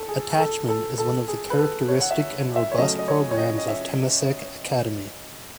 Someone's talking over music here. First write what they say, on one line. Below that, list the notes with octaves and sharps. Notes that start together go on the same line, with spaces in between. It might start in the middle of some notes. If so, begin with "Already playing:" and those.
Attachment is one of the characteristic and robust programmes of Temasek Academy.
Already playing: A4
G#4
A4
A4
A4
G#4
B4
A4
C#5
F#5
E5
E5
C#5
C#3 F#3 A3 C#4 D#5
D#5
C#5
C#5
D#5
D#5
E5